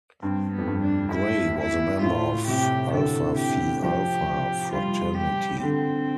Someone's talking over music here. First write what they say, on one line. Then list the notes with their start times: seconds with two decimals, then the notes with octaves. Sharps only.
Gray was a member of Alpha Phi Alpha fraternity.
0.22 G2 C4
0.52 B3
0.58 F2
0.67 G2
0.82 D4
1.12 E4
1.58 E4
2.02 A2 F4
2.48 C3 G4
2.92 D3 A4
3.38 G4
3.83 F3 G4
4.73 G3 F4
5.18 G4
5.62 D3 C4